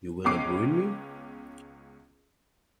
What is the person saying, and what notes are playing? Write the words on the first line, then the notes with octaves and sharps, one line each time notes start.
You will not ruin me?
C#2 B3 C#4 D6 C7